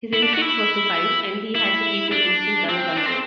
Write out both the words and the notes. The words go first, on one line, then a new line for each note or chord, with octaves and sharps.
His instinct was to fight, and he had to keep his instincts under control.
E4
D4
F#4
E4
E4
D4
C4
D4
C4